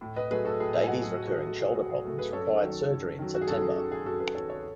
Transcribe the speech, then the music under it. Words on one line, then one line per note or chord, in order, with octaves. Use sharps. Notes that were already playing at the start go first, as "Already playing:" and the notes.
Davies' recurring shoulder problems required surgery in September.
A2
B4 D#5
F#3 A3 G#4 B4
F#4 A4
A2 G#4
B4 D#5
G#5
F#3 A3 D#5 F#5
G#4
A2 F#4
F#4
G#4
F#3 A3 F#4
G#4
A2 F#4
G#4
F#3 A3
G#4 B4
F#2 A4 C#5
D#3 F#3
F#2
D#3 F#3
F#4
G#4
F#2 F#4 A4
G#4
D#3 F#3 F#4
G#4
F#2 F#4 A4
G#4 B4
D#3 F#3 A4 C#5
A4 C#5